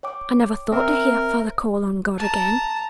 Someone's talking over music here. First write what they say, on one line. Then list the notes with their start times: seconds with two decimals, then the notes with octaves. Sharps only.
'I never thought to hear father call on God again.
0.03 C#5 G5 D6
0.72 C4 A#4 C5 E5
2.18 A5 A#5